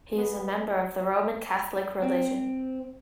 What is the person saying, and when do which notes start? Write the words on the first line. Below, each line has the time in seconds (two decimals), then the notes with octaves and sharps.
He is a member of the Roman Catholic religion.
0.17 B3
2.02 C4